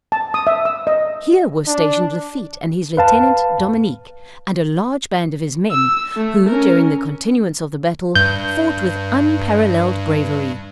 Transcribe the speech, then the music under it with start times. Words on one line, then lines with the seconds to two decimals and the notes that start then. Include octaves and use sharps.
Here was stationed Lafitte and his lieutenant Dominique and a large band of his men, who during the continuance of the battle, fought with unparalleled bravery.
0.12 A5
0.34 D#6
0.47 E5
0.65 E6
0.87 D#5
1.67 D4
2.97 B4 F5 A5
5.71 E6
6.17 A3
6.48 C#4 A#4
8.16 G2 G6